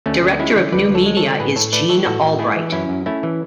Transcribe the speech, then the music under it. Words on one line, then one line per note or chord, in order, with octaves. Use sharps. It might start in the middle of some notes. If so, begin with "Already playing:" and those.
Director of New Media is Jean Albright.
D2 A3 C#4
D2
G#3 C#4 E4
D3
D2 B4 D5
D2
A4 C#5
G#3
A4 C#5
D3
A2 G#4 B4
A2 A4 C#5
A3 B4 D5
E3 A4 C#5
A2 F#4 A4
A2
A3 E4 G#4
E3
F#2 C#4 E4
F#2
A3 C#4 E4
E3